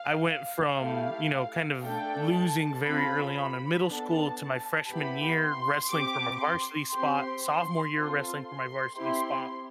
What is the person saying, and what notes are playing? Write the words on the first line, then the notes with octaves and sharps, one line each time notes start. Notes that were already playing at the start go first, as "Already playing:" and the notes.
I went from, you know, kind of losing very early on in middle school to my freshman year wrestling from a varsity spot, sophomore year wrestling for my varsity spot,
Already playing: F5
F5
A3 E4 G4
A3 D4 A4 G5
A5
C4 F4 A4 B5
B5
B3 D4 A4 A5
B3 E4 G4 B5
C6
C4 G4 D6
C6
C4 G4 C6
C6
C4 F4 A4 C6
C6
C4 E4 G4 C6